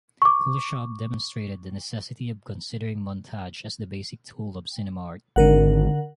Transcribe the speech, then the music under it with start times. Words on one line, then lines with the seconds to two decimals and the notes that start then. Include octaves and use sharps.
Kuleshov demonstrated the necessity of considering montage as the basic tool of cinema art.
0.22 C#6 D6
5.36 G#1 D3 A#4 F#5